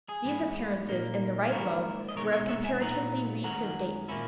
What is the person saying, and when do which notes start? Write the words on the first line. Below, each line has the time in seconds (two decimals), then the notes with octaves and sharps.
These appearances in the right lobe were of comparatively recent date.
0.09 G#4
0.25 G#2 E3 G#3 B3
0.89 A#2 A#3 D#4
1.52 G#2 D#3 A#3 E4 F#4 A#4
2.09 D#5
2.16 B2 G#3 B3 D#4 A#4 C#5
2.32 C#5 E5
2.49 C#5 E5
2.64 E5 G#5
2.80 A#2 F#3 B3 D#4 F#5 A#5
3.44 F#2 D#3 G#3 C#4 F#5 A#5
4.08 A#2 A#3 C#4 E4